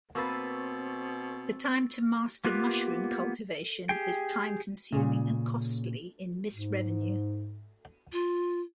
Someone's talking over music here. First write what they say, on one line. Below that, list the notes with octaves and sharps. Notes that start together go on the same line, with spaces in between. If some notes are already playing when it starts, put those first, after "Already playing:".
The time to master mushroom cultivation is time consuming and costly in missed revenue.
B2 A#3 C4 B4 C#6 E6 A6
A#3 B3 F4 G4 F#6
G4 G#4 G5
A#2 C#3
G#2
F4